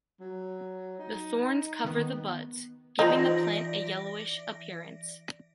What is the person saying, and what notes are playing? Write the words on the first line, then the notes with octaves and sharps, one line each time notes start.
The thorns cover the buds, giving the plant a yellowish appearance.
F#3
D#4
D#3 B3
E3 D#4 F4 C5 D5 A#6